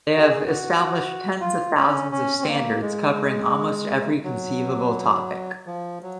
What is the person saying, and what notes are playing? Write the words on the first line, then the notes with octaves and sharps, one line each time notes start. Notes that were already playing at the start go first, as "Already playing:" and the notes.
They have established tens of thousands of standards covering almost every conceivable topic.
F#4
G#4
F#4
F4
C#4
C#4
C4
A#3
G#3
F#3
F3
F#3